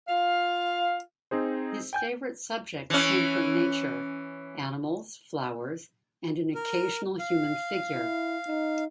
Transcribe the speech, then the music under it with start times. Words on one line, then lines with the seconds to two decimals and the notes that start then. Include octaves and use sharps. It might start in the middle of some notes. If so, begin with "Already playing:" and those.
His favorite subjects came from nature: animals, flowers, and an occasional human figure.
0.08 F4 F5
1.31 C4 D#4 G#4 C5
1.93 G5 G#5 G6
2.90 E3 C#4
6.55 A#4
7.19 F5
7.94 E4
8.48 D#4